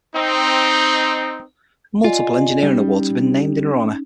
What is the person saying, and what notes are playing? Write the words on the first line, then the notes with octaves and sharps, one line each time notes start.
Multiple engineering awards have been named in her honor.
C4 D#4
F4 D5 D#5 G#5
G3 C#4 D#4